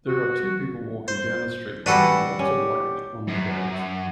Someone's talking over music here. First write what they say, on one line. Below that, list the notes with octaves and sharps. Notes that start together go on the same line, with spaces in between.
There are two people walking down the street carrying lots of luggage on their bags.
F#4
C5
E3 G3 D4 F#4 A4 B4
C#4 G4
F#2